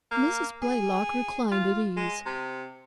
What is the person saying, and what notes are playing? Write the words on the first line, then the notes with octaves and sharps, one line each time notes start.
Mrs. Blaylock reclined at ease.
A#3
G#4
F4
G#3
C3